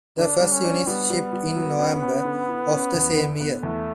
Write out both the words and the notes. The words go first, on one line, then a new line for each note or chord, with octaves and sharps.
The first units shipped in November of the same year.
D3 D4
G3
C#4
D4
G3 B3
G3
G3
F#3
C#4
C#4
D3
E4
C#4
E2
D3
B3
E2 A3